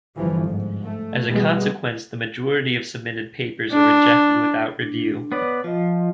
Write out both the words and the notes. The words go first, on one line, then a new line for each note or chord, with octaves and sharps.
As a consequence, the majority of submitted papers are rejected without review.
G1 E3 F3
G#2
A3
B2 E3 G3 G#3 B3
D4
D4
B3 B4 C#5 D5
F3 F4 D#5